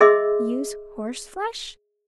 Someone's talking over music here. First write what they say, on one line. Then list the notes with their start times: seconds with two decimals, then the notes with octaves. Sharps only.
Use horseflesh?
0.01 G#4 D#5 E5 C6 D6 E6